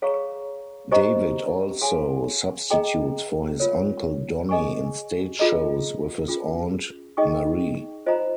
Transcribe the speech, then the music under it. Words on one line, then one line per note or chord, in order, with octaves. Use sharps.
David also substitutes for his uncle Donny in stage shows with his aunt Marie.
G#4 C#5 F5 A#5 C#6
G4 C5 D#5 A#5 C#6
G#4 C#5 F5 G#5 C6
G#4 D#5 G5 A#5
F4 A#4 C#5
G#4 D#5 G#5 C#6
F4 G#4 D#5 A#5
C#4 F4 G#4
D#4 G#4 D#5 G5 C#6
F4 C5 D#5 A#5